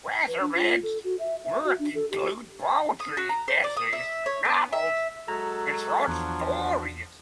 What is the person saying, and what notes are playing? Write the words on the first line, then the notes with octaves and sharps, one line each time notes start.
Wassermann's work includes poetry, essays, novels, and short stories.
B4
D4
F4
A4
F#4
E5
E5
F#4
D4
A4
G4
D#6
F#4
A#5
C5
D5
D#6
E5
C#5
B3
E5
F#3 G#3 F#4 A4 A#5
E2 F3 D4 F#4